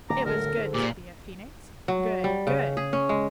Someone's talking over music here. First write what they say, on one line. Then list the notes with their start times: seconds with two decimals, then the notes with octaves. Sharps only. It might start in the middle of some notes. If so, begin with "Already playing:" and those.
It was good to be a Phoenix, good, good!
0.10 D1 D2 A#5 D6
0.26 D3 A4 A#4
0.57 G#2
0.74 A#2 G4
1.88 F#3
2.24 G3
2.47 C#3
2.77 G#4
2.93 C#4
3.09 G#3